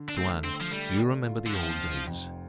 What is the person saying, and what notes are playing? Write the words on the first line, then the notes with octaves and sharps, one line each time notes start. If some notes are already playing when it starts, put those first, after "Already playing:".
Tuan, do you remember the old days?
Already playing: D3
D4
A3 C4
D3 C4
F3
G3 A3
D5
F4
D3
F2 F3
F1
F2